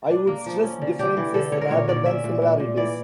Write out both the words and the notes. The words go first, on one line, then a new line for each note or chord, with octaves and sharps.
I would stress differences rather than similarities.
D4
A#3
F3
C#4
D3
D4 G4
E3
D3 A4
D3 C#5
A#4
A#2 C#5
A#2 D5
C#4 E5
A#2
A#2
A#2
E3 D5